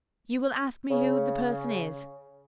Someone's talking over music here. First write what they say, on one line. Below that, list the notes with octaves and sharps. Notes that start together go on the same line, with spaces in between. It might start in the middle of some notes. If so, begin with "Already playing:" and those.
You will ask me who the person is.
C#3